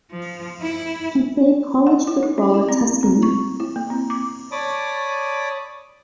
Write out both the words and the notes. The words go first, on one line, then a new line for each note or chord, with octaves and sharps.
He played college football at Tuskegee.
F3
E4
F#5
E4
D#4
C#4
E4
C4
C4
C#6
E4
A#3
C4
D6
C#5 D5 A5 B5 D6 D#6